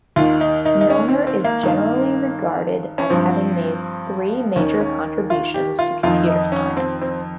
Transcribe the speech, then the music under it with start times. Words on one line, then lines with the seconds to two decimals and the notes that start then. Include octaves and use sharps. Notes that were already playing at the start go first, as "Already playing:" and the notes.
Milner is generally regarded as having made three major contributions to computer science.
0.16 D#2 D#3 F4
0.41 D#4
0.65 D#4
0.81 D#4
0.90 C#4
1.08 C4
1.27 C4
1.44 A#3
1.63 G2 D#3
2.98 C#4
3.10 G2 F3 C4
4.56 D#2 D#3 C#4
4.80 C#4
5.30 F4
5.54 G4
5.79 F4
6.03 F2 D#3 F4
6.28 D#4
6.52 C#4
6.77 C4
7.02 C4